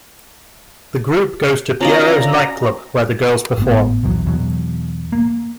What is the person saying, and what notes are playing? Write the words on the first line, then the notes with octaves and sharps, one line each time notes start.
The group goes to Pierrot's nightclub, where the girls perform.
C#4 F4 F#4 D5 D#5 F5 A#5
G#1 A2 B3
B1 E2 F3 F#3
E2 B2 F#3
A#3